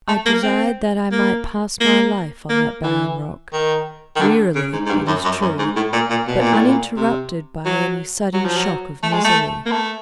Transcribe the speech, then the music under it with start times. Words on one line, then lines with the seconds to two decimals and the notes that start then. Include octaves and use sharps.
I desired that I might pass my life on that barren rock, wearily, it is true, but uninterrupted by any sudden shock of misery.
0.08 A3
0.26 A#3
0.43 C4
1.12 A#3
1.81 A#3
2.49 A#3
2.83 E3
3.53 D#3
4.16 D#3
4.21 D3
4.55 C#3
4.73 G#2
4.86 G#2
4.89 G2
5.07 F#2
5.24 F#2
5.42 F#2
5.59 G#2
5.76 A2
5.93 A#2
6.10 A#2
6.28 B2
6.40 A#2
6.53 A2
6.67 A#2
6.97 C3
7.65 F#3
8.34 F#3
8.45 F3
8.57 F#3
9.03 A3
9.13 G#3
9.24 A3
9.66 A#3
9.72 A3